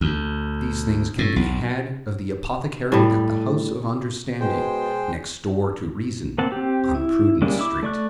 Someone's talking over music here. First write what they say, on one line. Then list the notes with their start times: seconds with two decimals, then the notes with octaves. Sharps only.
These things can be had of the apothecary at the house of Understanding next door to Reason, on Prudent street.
0.01 D2
1.19 A2
1.36 B1
2.92 A2 G3
4.40 B2 G#3 G#4 C5 G5
6.38 A#3 C4 F#5 A5
6.52 C4 G4
6.95 E4
7.42 G3 G#3 A#3 C#4 D4
7.59 E4 D6
7.83 A3 D5 C#6 F#6